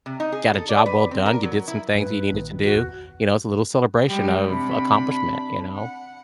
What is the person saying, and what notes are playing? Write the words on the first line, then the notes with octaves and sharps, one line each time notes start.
got a job well done, you did some things you needed to do, you know, it's a little celebration of accomplishment, you know?
C3
D#4
G#4
A4
D5
B4
C4
A#4
F#3
E4
G2 B4
A#1 A#2 D#3
F#4
E2
G3 G#3 G4
C3 D4 B5
F#5